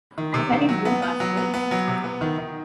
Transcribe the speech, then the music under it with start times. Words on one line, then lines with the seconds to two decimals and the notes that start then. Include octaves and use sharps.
I carried no passports.
0.18 D#3
0.34 C3
0.52 D#3
0.69 F#3
0.85 B3
1.02 B3
1.20 F#3
1.37 B3
1.54 B3
1.71 F#3
1.88 C3
2.04 B3
2.21 D#3
2.38 D#3